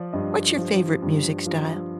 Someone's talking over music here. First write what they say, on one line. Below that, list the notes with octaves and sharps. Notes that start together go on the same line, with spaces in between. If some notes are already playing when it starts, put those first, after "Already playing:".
What's your favorite music style?
Already playing: F3 D5
G2 D#5
F3
G2
F3